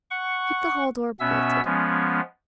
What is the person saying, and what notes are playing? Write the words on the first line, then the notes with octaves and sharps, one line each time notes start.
'Keep the hall-door bolted.
F#5 C#6
B2 B3 C#4 E5 E6
F3 G#3 B3 C#4